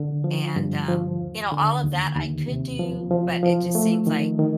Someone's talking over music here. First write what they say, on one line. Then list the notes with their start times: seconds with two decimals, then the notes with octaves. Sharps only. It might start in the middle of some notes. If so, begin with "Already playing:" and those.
And, um, you know, all of that I could do, but it just seems like,
Already playing: D3
0.24 F3
0.56 G2
0.88 F3
1.19 D#2
1.52 D3
1.84 D#2
2.16 D#2
2.48 C3
2.79 F3
3.11 F3
3.43 F3
3.75 A3
4.07 D#3
4.39 D#3